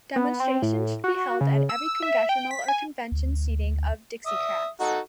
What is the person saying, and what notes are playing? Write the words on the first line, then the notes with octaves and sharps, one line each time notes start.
Demonstrations should be held at every Congressional or convention seating of Dixiecrats.
B3
C4
A2
F#4
C#3
E6
E5
G5
B6
G#5
D2
E5 D#6
D#4 F#4 A4